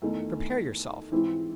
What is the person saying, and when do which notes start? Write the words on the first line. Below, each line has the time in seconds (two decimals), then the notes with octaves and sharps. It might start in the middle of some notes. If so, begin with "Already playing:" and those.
Prepare yourself.
0.02 E2 D#3 A3 D#4
1.12 G#2 E3 C4 E4